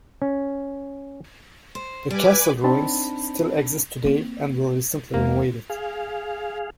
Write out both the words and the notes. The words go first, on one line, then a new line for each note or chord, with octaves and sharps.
The castle ruins still exist today and were recently renovated.
C#4
C5
G3 B4 G#5 D6
C4 D4 D#4 A5 B5
A#3 C4
E2 G#3 A#3
G#4 F5